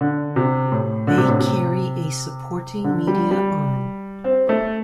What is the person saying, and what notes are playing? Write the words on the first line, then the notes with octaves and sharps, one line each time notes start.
They carry a supporting media arm.
D3
C3
A2
D3
C3
A2
C3
D3
G3
G3
C4
A3